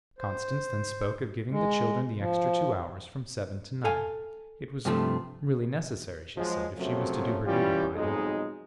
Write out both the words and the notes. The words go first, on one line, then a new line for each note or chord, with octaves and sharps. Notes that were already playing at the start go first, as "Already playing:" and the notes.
Constance then spoke of giving the children the extra two hours, from seven to nine: it was really necessary, she said, if she was to do her duty by them.
C5
G#3
F3
A4 F5 G#5
G2 C3 F3 A3
F3 F#3 G#3
F#2 C3 F3 F#3 A3
E3 G3 C#4 F4 G4
B1 F2 G#3 D#4 G#4